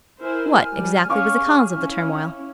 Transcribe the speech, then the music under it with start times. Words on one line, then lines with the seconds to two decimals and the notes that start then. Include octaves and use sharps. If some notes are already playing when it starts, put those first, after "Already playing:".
What, exactly was the cause of the turmoil?'
0.20 E4 A#4 C5 G#5 F6
0.73 G3
1.10 C#4 C#5 F5 C#6 D6
1.43 G#4
1.77 C#4 E4